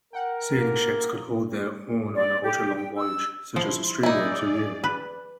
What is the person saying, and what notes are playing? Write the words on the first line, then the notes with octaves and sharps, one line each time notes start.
Sailing ships could hold their own on ultra-long voyages such as Australia to Europe.
A#4 F#5 G5
A#3
D5
G4
G5
E6
F3 E4 C6
D#4 E4 G#4 D5
B4